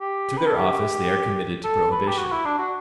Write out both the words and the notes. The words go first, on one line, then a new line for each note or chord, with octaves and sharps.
Through their office they are committed to prohibition.
G4
B4
A4
G4
A4
B4
G4
F#4
E4
D4
F#4